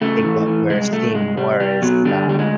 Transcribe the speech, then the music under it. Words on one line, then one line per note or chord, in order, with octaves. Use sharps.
I think what we're seeing more is, uh
C#3 A3
E3
E3
C2 G#3
C2 A3
C2 G#3
C2 G3
C2 G3
B2 F#3
D3 G3
D2 G3
G#3